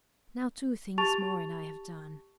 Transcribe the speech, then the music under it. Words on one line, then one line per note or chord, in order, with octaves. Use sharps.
Now two things more, and I have done.
G4 A5 C#6 A6 F7